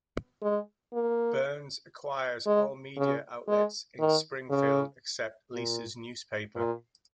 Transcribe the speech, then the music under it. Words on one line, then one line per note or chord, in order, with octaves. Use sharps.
Burns acquires all media outlets in Springfield except Lisa's newspaper.
G#3
A#3
G#3
C#3
G#3
D#3
C#3
A#2
A#2